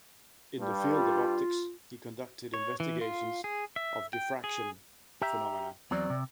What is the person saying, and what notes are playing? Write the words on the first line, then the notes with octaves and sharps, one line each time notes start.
In the field of optics he conducted investigations of diffraction phenomena.
G2 G3
F4
C#5
E3
F4
G#4
E5
G5
G#4
G4 E5 A#5
E2 F#3 C4 D5
C3